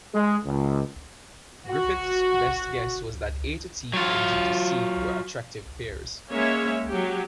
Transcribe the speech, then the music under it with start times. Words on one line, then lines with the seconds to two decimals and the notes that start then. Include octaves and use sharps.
Griffith's best guess was that A:T and G:C were attractive pairs.
0.13 G#3
0.46 C#2
1.71 F#4
3.94 F#3 F4
6.30 G#3 A#3 C#4 C#5 E5
6.91 F#3 G4